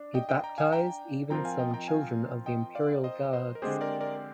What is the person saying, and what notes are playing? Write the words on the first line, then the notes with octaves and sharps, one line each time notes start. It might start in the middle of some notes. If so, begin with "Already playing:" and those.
He baptised even some children of the Imperial Guards.
Already playing: D4
D#5 G5
D#5 G5
G5 A#5
F5 G#5
G5 A#5
F3 C4 F4 A#4 G5 A#5
F5 G#5
D#5 G5
G5 A#5
F5 G#5
D#5 G5
D5 F5
C5 D#5
C5 D#5
A#4
D3 G#3 C4 G4 G#4 C5
A#4 D5
A#4 D5